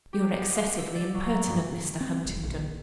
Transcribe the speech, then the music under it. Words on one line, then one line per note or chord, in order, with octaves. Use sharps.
'You're excessively impertinent, Mr. Huntingdon!'
G4
B3
F5
E6
D5
F#3
A#5
G2
C4
E1
A#1